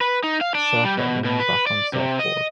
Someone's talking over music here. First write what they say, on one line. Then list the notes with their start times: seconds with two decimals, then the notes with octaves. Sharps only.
Surfer leaning back on surfboard.
0.01 B4
0.24 D#4
0.41 F5
0.55 D4
0.85 G3
0.97 B2
1.25 B2
1.40 B4
1.67 D5
1.93 C3
2.19 D#5